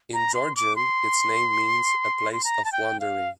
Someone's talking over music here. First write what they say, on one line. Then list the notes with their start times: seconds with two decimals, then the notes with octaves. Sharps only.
In Georgian, its name means "a place of wandering".
0.14 A#5
0.34 C6
0.56 D6
0.76 C6
2.33 C6
2.44 A#5
2.65 A5
2.72 G5
3.00 F5